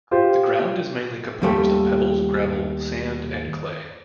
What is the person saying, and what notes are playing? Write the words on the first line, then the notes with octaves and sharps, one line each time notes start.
The ground is mainly composed of pebbles, gravel, sand and clay.
F4 G4 C5
D#2 G3 A3